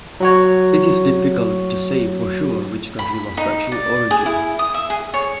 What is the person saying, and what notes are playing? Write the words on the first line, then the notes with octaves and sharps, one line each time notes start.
It is difficult to say for sure which country was the true origin.
F#3 F#4 C#5
B5
D#4
D5
G#4
E4
D#6
E5
G#4
C#5